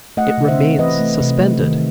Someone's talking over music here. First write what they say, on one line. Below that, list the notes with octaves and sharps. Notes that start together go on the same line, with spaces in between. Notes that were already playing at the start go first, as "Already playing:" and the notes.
It remains suspended.
A3 D#5 F#5
C3
C5 E5
C4
E3 B4 D#5
A3
C3
A3
D#3